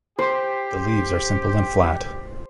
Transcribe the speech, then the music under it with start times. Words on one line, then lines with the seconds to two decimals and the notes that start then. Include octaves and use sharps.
The leaves are simple and flat.
0.19 G4 C5